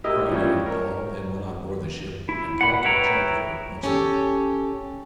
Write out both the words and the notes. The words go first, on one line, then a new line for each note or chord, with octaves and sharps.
Friday and Paul then went on board the ship, and Paul took charge of her once more.
E4 G4 A#4 D#5
E3 F3 G3 C#4
A#4 C#5
E4
F#5 B5
E4 B4 C#5 G5 A#5
C#4 G4 A4